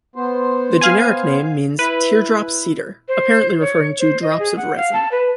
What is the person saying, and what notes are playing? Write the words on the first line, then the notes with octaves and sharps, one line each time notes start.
The generic name means "teardrop cedar", apparently referring to drops of resin.
B3 C5
F5 G#5
E4 B4
C5
C#5
C5
D#5
G#4
F#5
F5
A5
B4